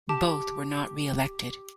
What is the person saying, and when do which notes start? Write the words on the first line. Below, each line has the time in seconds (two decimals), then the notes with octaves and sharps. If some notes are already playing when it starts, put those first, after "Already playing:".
Both were not re-elected.
0.09 G4 A5 D6